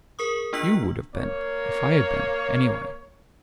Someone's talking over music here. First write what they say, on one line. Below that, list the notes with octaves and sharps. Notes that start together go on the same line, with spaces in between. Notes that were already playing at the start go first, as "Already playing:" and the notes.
You would have been if I had been, any way.'
G#4 A#4 C#6 D#6
A#3 D4 F4 E6 B6 F#7
A#3 C#5